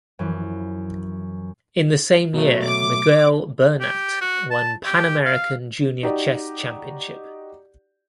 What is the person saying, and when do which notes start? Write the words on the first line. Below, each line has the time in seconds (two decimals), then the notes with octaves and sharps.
In the same year Miguel Bernat won Pan American Junior Chess Championship.
0.19 F#2 E3 F3
2.34 B2 F#3 A3
2.64 D6
3.80 G4
4.21 F#4
4.51 A5
4.86 G4
5.26 F5
6.03 D#4 F#4 G4 D5